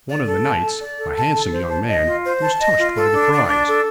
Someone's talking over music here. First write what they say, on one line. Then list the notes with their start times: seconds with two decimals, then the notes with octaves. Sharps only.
One of the knights, a handsome young man, was touched by the cries.
0.08 D5
0.26 A4
0.44 A5
0.62 A4
0.81 D5
0.98 A4
1.16 A5
1.34 A4
1.51 C5
1.69 A5
1.88 D#5
2.05 F4
2.23 C5
2.41 A5
2.59 D#5
2.77 F4
2.95 A4
3.13 D4
3.31 D5
3.49 D4
3.67 A4